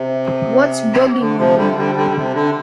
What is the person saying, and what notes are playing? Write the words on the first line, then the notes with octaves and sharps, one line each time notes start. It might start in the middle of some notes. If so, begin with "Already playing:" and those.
What’s bugging you?
Already playing: C3
D3
C3 F3
D3 G3
D3 G3
D3 G3
D3
C3
D3